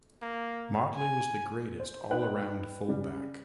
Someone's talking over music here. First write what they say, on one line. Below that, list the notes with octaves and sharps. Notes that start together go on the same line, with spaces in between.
Motley was the greatest all-around fullback.
A#3
G#5
C5
D#4 B4 D5 G5 F#6
C#3 G3